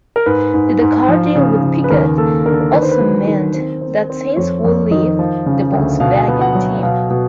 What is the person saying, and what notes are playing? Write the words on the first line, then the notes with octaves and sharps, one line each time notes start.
The Dakar deal with Peugeot also meant that Sainz would leave the Volkswagen team.
A#4
G#2 B4
G#2
G#2
F3
C#3
C#3
B4
D#2 A#4
A#3 A4
D3 A#4
A4
A#4
D#3 B4
C5
B4
F#3
D#3
C4
C4
C4
F2 C#5
F2 C#5
D#3 D#5
F3
C#3
D2
B2 F5
B3
F#5
F#3
B2 F5
B2